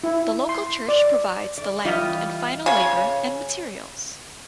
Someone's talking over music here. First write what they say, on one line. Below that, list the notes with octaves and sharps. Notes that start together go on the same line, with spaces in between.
The local church provides the land and final labor and materials.
E4
C6
D5
D5
E3 G3 F4 D#5
C#3 C#5